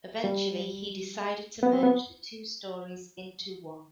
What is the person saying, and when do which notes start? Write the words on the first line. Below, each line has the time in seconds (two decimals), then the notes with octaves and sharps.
Eventually he decided to merge the two stories into one.
0.24 G3
1.63 B3
1.73 C4
1.83 B3